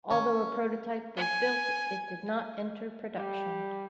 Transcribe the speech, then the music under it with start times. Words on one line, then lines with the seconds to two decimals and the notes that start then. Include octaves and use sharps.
Although a prototype was built, it did not enter production.
0.11 C#4
1.16 G#5
3.17 G3